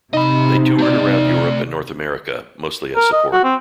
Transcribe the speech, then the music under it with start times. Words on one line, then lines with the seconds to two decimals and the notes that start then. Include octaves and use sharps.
They toured around Europe and North America, mostly as support.
0.13 C3 D#4 D#5 B5
0.79 A3 D5
2.96 A#4
3.12 D#5
3.33 F#4
3.44 C4